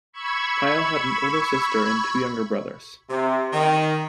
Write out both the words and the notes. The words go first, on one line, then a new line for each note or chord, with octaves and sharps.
Pile had an older sister and two younger brothers.
B5 C#6 E6 G#6
C3
D#3